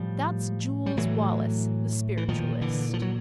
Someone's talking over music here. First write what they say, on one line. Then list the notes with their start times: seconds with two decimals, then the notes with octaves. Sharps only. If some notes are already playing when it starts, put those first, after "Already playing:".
"That's Jules Wallace, the spiritualist."
Already playing: A2 F3 G3
0.86 G3
0.97 A2 E3 F#3
2.17 E3
2.29 A#2 D#3 F3
2.61 D3 E3
2.93 F3
3.02 F#3